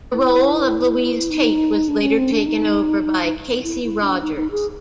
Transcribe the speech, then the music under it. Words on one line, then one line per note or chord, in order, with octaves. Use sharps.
The role of Louise Tate was later taken over by Kasey Rogers.
E4
D#4
D4
C#4
C4
D4
D#4
D#4
E4
E4
D4
D#4
D#4
G#4